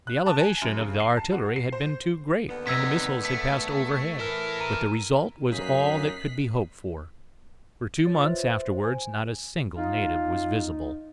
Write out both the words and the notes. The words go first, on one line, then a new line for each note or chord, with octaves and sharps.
The elevation of the artillery had been too great, and the missiles had passed overhead; but the result was all that could be hoped for, for two months afterwards not a single native was visible.
F#6
A5
G#5
F#2
C#3
C7
A5
F#4
C7
C5
D#2 D3 B3
C3 D#4 E6 G#6 B6
A3 B6
E3 E4 A4 A#4
A#5 D#7
F#2 A#2 C#4 D#4 F#6 B6 C7
F4 C#5 A6
B4 C5 E5
C5
G#5
D#4 F4